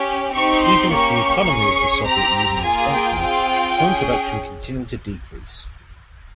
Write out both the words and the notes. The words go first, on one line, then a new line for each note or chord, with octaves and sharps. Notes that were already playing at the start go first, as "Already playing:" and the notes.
Even as the economy of the Soviet Union strengthened, film production continued to decrease.
Already playing: C#4 G4
C4 D#4 G4 C#6
C6
A#3 C#4 G4 C#6
C#4 G#4
C4 G4 A#5
A#3 F4 G#4 G#5
G5
C4 F4 G#4 G5
C#4 G#4